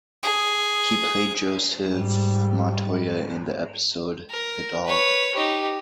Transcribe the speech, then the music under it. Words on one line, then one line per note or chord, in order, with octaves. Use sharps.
He played Joseph Montoya in the episode "The Doll".
G#4
G#2 G3
A#4
B4 C#5
D#4 G4